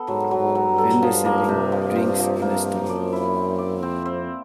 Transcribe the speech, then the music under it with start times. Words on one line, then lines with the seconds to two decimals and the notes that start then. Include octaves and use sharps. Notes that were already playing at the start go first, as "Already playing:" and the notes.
Vendor selling drinks in a stall.
Already playing: B3 A4
0.08 G#2 F#3
0.31 F#3
0.39 G#2
0.55 F#3
0.71 G2
0.78 A4
1.02 F3
1.25 A#3
1.49 C3
1.72 F3
1.95 C3
2.19 F3
2.42 A#3
2.66 A#3
2.89 F#2 D5
3.13 E4
3.36 C4
3.58 D5
3.82 F2 C4
4.06 C4